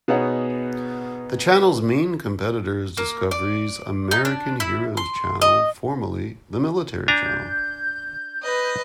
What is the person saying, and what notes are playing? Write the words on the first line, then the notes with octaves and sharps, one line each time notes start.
The channel's main competitor is Discovery's American Heroes Channel, formerly the Military Channel.
B2 B3 D#4 G#4 C#5 F#5
A#3
D5
D#4
D4
E4
C6
D#5
D4 G#5 A#5 G6
B4 D#5